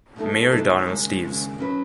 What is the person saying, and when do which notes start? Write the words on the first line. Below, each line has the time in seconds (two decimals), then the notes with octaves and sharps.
Mayor Donald Steeves.
0.16 B2 F#3 A3 D#4 A4
0.51 B2 F#3 A3 D#4 A4
0.87 D#2 C#3 G#3
1.23 D#2 C#3 G#3
1.58 B2 F#3 C#4 F#4 B4